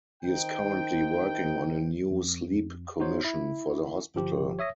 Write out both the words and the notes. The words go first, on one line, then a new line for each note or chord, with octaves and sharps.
He is currently working on a new sleep commission for the hospital.
D#3 D#4 C5 G5
F2
B3 D#4 F#4 C5 C#5
E4
G1 F3 G4
C#5 E5 D#6 A#6